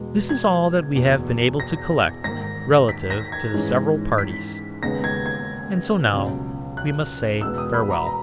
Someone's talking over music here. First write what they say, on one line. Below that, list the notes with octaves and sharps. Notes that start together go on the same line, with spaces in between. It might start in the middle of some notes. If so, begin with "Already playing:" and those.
This is all that we have been able to collect relative to the several parties; and so now we must say farewell.
Already playing: E2 B2 G#3 B3
G#6
F#1 E2 B2
A#6
G#2 D#3 A#3 A#6
B6
A#6
G#6
G#2 E3 G#3 C#4
B6
D#2 C#3 G#3 B3 A#6
G#6
G#6
C#2 B2 F#3 C#4
F#6
E2 B2 G#3 B3 E6
D#6
B5
A#5
A#5